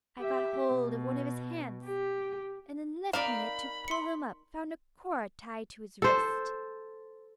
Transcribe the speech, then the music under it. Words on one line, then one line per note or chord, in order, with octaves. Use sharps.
I got hold of one of his hands, and in lifting it to pull him up found a cord tied to his wrist.
G4 E5
B2
G4
D#4 A#4 D5 F5 B5 E7
C6 C#7
A4 C5